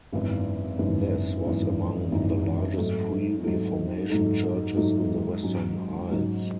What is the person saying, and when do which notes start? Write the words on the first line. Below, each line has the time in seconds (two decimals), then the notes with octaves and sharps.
This was among the largest pre-Reformation Churches in the Western Isles.
0.13 G#1 F#2 E3 B3 D#4
0.79 G#1 F#2 E3 B3 D#4
1.45 G#1 F#2 E3 B3 D#4
2.11 G#1 F#2 E3 B3 D#4
2.78 G#2 F#3 A3 D#4 A4
3.44 G#2 F#3 A3 D#4 A4
4.10 G#2 F#3 A3 D#4 A4
4.76 G#2 F#3 A3 D#4 A4
5.43 G#2 F#3 C#4
6.09 G#2 F#3 C#4